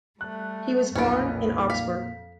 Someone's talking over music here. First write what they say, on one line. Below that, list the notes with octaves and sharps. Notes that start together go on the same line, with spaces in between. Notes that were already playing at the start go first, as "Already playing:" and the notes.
He was born in Augsburg.
G3 A3 F#6
B1 F2 A#2 C#4 F4 B4 D7
F5 B6